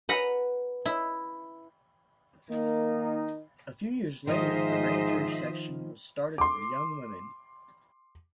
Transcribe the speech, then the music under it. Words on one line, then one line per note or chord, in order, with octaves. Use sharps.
A few years later the Ranger section was started for young women.
B4 F#5 A#5
E4
D#3 A#3 D#4
G#2 D#3 F3 C5 D#5 E5
C6 D6